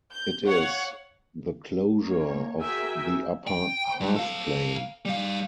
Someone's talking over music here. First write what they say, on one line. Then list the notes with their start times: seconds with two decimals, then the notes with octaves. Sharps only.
It is the closure of the upper half-plane.
0.12 G6
0.46 C#5 F5 F#5 C#6
2.00 A#3 C#5
2.61 F#4 G#4 A#4 E5 G5 G#5
3.47 G5
4.00 G2
4.16 A4 F5
5.05 G3 F5